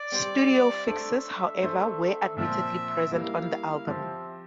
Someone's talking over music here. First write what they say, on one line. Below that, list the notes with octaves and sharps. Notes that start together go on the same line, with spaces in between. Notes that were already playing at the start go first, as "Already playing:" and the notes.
Studio fixes, however, were admittedly present on the album.
Already playing: D5
G3 C4 G4 C5
A3 D4 A4 C5 E5
A3 D4 A4 C5
A#2 F3 C4 E5
G3 A#3 E4 F5
F3 C4 G4 E5